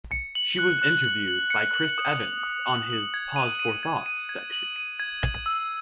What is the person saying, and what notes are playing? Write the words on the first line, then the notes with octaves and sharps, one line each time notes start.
She was interviewed by Chris Evans on his "Pause for Thought" section.
C#7
F#7
F#6
F#6
F#7
F#7
C#7
F#7
D#6
F#7
D#6
F#7
F#7
G#6
D#7
D#7
G#6
D#7
G#6
F#7
D#7
G#6
G#6
E6